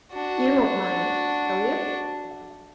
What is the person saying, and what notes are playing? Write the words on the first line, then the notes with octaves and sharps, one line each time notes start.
You won't mind, will you?
D4 F#4